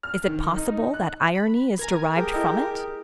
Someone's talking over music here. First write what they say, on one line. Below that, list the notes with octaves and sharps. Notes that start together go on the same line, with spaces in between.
Is it possible that irony is derived from it?
F6
D#3
D#4
F#6
B5
A#4 G#5 A#5 G#6
G4 G#4 A#4
E4 A4 D#5